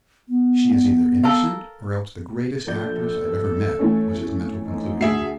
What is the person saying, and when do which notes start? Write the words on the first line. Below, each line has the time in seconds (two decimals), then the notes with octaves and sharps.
"She is either innocent, or else the greatest actress I've ever met," was his mental conclusion.
0.28 B3
1.23 A4 A#4 F5
2.67 A#1 A4 D5 G6
3.79 E3 A3 C#4
4.66 G#2 D3 D#4
5.01 D2 G#4 E5 C7